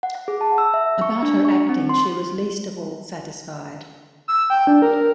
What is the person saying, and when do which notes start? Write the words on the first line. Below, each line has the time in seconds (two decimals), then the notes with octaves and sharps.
About her acting she was least of all satisfied.
0.03 F#5
0.15 F#5
0.28 G#4
0.41 A5
0.58 E6
0.74 E5
1.01 C#6
1.23 D4
1.45 C#6
1.69 C4
1.89 C6
4.28 E6
4.50 G5
4.67 D4
4.82 A#4